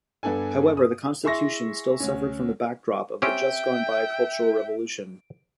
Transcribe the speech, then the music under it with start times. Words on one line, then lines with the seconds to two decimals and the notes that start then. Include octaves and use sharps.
However, the Constitution still suffered from the backdrop of the just-gone-by Cultural Revolution.
0.23 G2 B3 D4 A4 G#5
0.77 D#6
1.23 E4 G#4 E5 C6 C#6 A#6
2.00 D2 C#4
3.22 C4 C#4 G4 E5 G5 D7